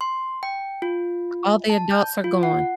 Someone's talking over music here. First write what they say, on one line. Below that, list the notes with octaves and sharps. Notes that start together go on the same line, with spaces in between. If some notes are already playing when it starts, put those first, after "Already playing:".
All the adults are gone.
C6
G5
F4
A5
G6
F4
F#5